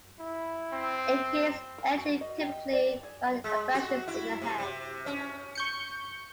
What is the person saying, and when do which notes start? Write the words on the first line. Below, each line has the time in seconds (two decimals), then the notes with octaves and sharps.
It gains entry typically by abrasions in the hand.
0.20 E4
0.72 C4
1.78 A#4
1.98 F#4
2.21 D#5
2.41 G4
2.73 D5
3.03 G#4
3.44 G#3
3.74 F#4
4.08 E4
4.42 C3
4.58 C3
5.06 C#4
5.55 C#6 G6 C#7